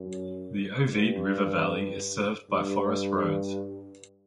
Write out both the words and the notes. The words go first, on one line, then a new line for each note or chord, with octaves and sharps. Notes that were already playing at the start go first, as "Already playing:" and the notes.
The Ovide river valley is served by forest roads.
Already playing: F#2
G2
G2